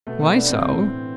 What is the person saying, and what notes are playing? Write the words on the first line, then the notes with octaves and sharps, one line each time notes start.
"Why so?"
B2 A3
B3
D4
A2 E3 C4